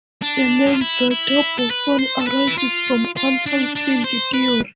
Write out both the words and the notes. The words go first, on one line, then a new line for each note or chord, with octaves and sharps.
The name "vector boson" arises from quantum field theory.
D4
G4
F4
E4
E4
A4
B4
C5
A4
B4
E4
F4
F4
D4
D4
C5
B4